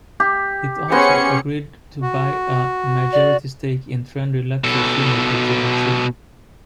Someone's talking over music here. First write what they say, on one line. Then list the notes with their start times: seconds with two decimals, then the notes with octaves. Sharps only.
It also agreed to buy a majority stake in trendy luxury shoemaker Jimmy Choo.
0.20 G4
0.92 B3 C#4 G#4 C5 D#5 C#7
2.02 F#4
3.13 D5
4.64 B2 A4